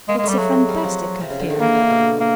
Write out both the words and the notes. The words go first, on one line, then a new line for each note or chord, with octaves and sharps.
It's a fantastic affair.
G#3 A#3
G#3
A3
G3
F#3 G#3
G3
F3
C3
C#3
D3
D#3
E3 A#3
D3
B2
A#3